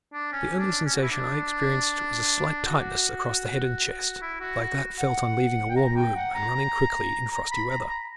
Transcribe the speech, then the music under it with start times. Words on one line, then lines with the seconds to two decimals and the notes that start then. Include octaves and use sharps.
The only sensation I experienced was a slight tightness across the head and chest, like that felt on leaving a warm room and running quickly in frosty weather.
0.13 D4
0.33 C#4
0.59 D4
0.85 C#4
0.94 F#4
1.02 E4
1.11 D4
2.66 F#4
4.22 E4
4.41 F#4
4.61 F#4
4.99 F#5
5.70 G5
5.76 A#5
5.96 G5
6.15 F#5
6.35 A#5
6.55 A#5
7.32 A#5
7.52 B5
7.71 A#5
7.90 A#5